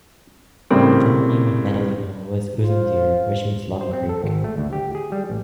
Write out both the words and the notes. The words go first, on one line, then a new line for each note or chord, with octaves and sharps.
The former name of Nedelino was "Uzundere" which meaning "Long Creek"...
A2 C#3 G3 A#3 C4
F4 C5
C5
C4
A4
G#1
A3
D2
G4
G#4
G3
A1